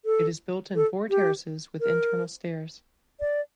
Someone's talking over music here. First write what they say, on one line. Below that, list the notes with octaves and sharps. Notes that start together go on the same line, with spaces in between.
It is built in four terraces with internal stairs.
A4
A4
G4
A#4
D5